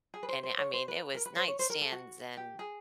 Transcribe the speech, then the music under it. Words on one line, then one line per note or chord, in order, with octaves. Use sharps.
and, eh, I mean it was nightstands and
G#4
B4
C5
C5
C#5
C5
B4
A#4
B4
C5
C#5
C5
A#4
A4
F#4
G4
G#4